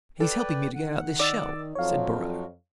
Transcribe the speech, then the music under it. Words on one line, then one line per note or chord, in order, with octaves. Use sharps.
"He's helping me to get out this shell," said Borrowe.
A4 B4 D5 G5
D#3 F#5
D#4 D5 D6 E6 A6
F2 F3 F#3 C#5 F5